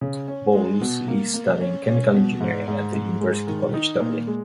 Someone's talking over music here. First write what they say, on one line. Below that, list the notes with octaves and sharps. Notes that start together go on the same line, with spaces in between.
Boles is studying chemical engineering at the University College Dublin.
C#3
C#4
G#3
B2
A#3
A#3
C#4
C#4
B2
G#2
G#2
G#2
G#3
D#3
D#4
A#2
G#3